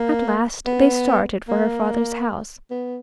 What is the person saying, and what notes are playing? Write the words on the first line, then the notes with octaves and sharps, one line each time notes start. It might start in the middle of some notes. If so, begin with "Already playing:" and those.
At last they started for her father's house.
Already playing: A#3
B3
A#3
B3